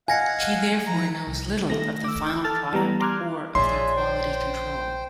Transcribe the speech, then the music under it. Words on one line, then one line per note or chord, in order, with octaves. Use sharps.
He therefore knows little of the final product, or of their quality control.
D#5 F5 F#5 G#5 G#6 A#6 C#7
F3 A#5
C2
D#3 A3 A#6
D6 E6
A4 A5 E6 F6 A6
E3 G3 B3 A#5
A#5 C6 D6 F6 F#6 G#6
A#1 C#4 D4 G#4 D5 E5 C6
C5 G5